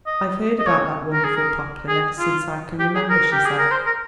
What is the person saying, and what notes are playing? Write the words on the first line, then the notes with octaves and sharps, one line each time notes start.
"I've heard about that wonderful poplin ever since I can remember," she said.
D#5
D#5
C#5
A#4
G#4
A#4
G#4
F4
G4
G#4
A#4
G4
G#4
A#4
C5
A#4